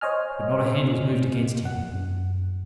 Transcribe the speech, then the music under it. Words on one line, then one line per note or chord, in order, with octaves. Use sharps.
But not a hand was moved against him.
C5 C#5 D#5 G#5 F6
F#5
F#2